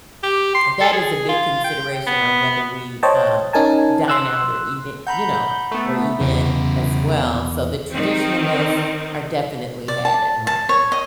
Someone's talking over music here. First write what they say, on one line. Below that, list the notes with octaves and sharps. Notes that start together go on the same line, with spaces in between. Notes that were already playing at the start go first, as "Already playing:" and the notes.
that is a big consideration on whether we, um, dine out or eat it you know, or eat in as well, so the traditional meals are definitely had at home.
G4
C6
A4
G#4
F4
G5
B3
C5 C#5 D#5 G5 A5
C#4 D#4 A#4 G#5 A5
C6 E6 F#6
F#5 A#5 B5 G6
A3 B3
E2 C#3 E4
D#3 C4
D5
A5
A5
C#5
D#5